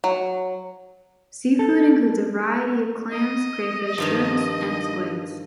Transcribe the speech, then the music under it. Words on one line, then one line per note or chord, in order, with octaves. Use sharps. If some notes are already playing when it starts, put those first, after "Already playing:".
Seafood includes a variety of clams, crayfish, shrimps and squids.
F#3
A4
D#5
G2 D#3 F3